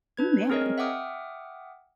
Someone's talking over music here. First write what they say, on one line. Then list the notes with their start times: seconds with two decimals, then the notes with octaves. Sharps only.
Oh, man.
0.17 D4 B4 G#6
0.50 C4 G#4 A#4 C#5 D#5
0.78 E5 F#5 G5 D6 D#6 F6